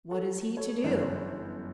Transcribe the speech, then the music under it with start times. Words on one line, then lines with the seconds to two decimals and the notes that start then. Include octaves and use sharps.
What is he to do?
0.11 F#4 A4
0.57 A4 C#5
0.84 G1 F#2 E3